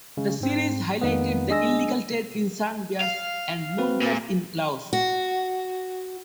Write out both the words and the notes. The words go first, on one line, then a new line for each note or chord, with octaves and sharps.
The series highlighted the illegal trade in sun bears and moon bears in Laos.
C#3 G#3
G#2 C4
F2 D#3 G#3 A#3 B3
G#3 D4 D#5 G#5 E6 A#6
F5
C4 F#4 B4
A#2
F#4